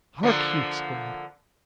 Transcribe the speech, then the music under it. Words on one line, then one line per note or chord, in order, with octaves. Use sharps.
"Hark!" he exclaimed.
D3 F3 A#3